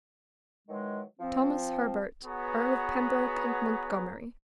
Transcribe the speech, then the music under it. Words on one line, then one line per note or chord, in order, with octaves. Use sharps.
"Thomas Herbert, Earl of Pembroke and Montgomery."
D#3 E3 F#3 G#3
F3 C4
B3 F#4 G#4 B4 C#5 A#5